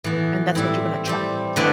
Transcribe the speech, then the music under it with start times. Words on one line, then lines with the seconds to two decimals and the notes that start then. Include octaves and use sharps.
and that's what you're gonna attract yourself.
0.04 A2 E3 B3
0.55 A2 G3 C4 E4
1.06 G3 C4 G4
1.56 D3 A3 E4 B4 D5